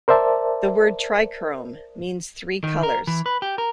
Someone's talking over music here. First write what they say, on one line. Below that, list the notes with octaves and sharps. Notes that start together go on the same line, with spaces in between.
The word "trichrome" means "three colours".
A#4 C5 D5 E5 A5
D#3
A#4
E3
B4
G4
A#4